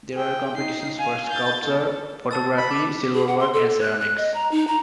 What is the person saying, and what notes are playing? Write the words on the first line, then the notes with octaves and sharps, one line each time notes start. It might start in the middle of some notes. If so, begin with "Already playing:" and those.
There are competitions for sculpture, photography, silverwork and ceramics.
G#4 G5
D#4 C7
F5 G#5
G6 A6
A4
A5 E6 A6
B5
D6
G#4
F#5
C6
A4
A4
F#6
F#6
D#5
A#5
D#4
A#5